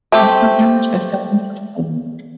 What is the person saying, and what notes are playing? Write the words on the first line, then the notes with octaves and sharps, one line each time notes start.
Oh my gosh, that's so interesting.
A3 C4 G4